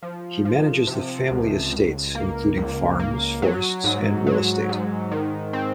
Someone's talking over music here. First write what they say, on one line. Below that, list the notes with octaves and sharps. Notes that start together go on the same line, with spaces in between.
He manages the family estates including farms, forests and real estate.
F3
F3
C3
C#2
C#2
A#3
C#2
A#3
F#3
G#2
F#3
G#2
D#3
C4